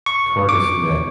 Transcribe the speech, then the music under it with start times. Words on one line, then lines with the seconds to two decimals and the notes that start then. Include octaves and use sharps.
Cardiff Met.
0.06 C#6
0.49 D6